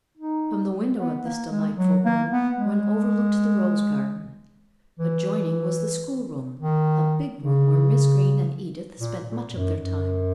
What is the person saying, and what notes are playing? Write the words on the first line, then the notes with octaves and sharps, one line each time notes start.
From the window of this delightful room, one overlooked the rose-garden. Adjoining was the schoolroom, a big room where Miss Green and Edith spent much of their time.
D#4
B3
A#3
G#3
F#3
A#3
B3
G#3
E3
D#3
C#3
A#2
A#2
F#2
F#2